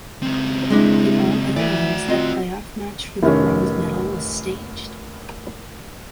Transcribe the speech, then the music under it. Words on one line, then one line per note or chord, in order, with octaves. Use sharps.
In all other years, a playoff match for the bronze medal was staged.
C#2 C4
G#3 D4 E4
E3 F#4 D5
C4 F4 D#5
F1 D#3 C#4